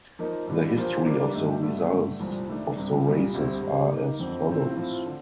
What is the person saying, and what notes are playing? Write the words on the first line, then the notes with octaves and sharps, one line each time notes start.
The history of the results of the races are as follows.
F3 A#3 D#4 A#4
A2 G3 D4 F4
A#2 F3 A#3 F4 C5
D#3 G3 A#3 D4
G2 D#3 A3 D#4
G2 D3 A3
G2 D3 A3
C2 A#2 F3
D#3 A3 D4
C2 C3 G3
C2 A#2 G3
D2 D3 G3 C4
C3 G3 C4
D#3 A#3 D#4
F2 D3 F3 C4
A2 F3 C4
A2 F3 C4 F4
D3